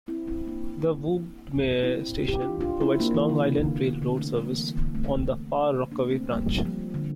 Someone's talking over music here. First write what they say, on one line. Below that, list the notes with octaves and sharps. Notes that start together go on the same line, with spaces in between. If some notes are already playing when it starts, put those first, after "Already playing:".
The Woodmere station provides Long Island Rail Road service on the Far Rockaway Branch.
C4 E4
C4 E4
A#3 D4
C4 E4
G4
D4 F4
D4 F4
C4 E4
A#3 D4
E3
D3
C3
D3
D3
D3
A3 C4
G3 A#3
E3
D3
A3 C4
A3 C4
A#3 D4
A3 C4
G3 A#3
G3
F3
D3